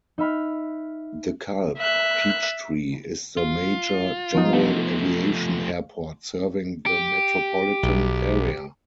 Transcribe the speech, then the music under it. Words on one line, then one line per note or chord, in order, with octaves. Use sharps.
DeKalb-Peachtree is the major general aviation airport serving the metropolitan area.
D#4 E5 B5 F6
E5 F#6
F4
F3 B3 D#4
F3 A3 B3
G4
B1